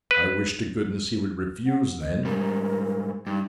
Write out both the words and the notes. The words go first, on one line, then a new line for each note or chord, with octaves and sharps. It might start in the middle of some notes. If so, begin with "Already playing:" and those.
"I wish to goodness he would refuse, then!"
B4
F#5
D#5
G#2 G3 A#4
G2 D#4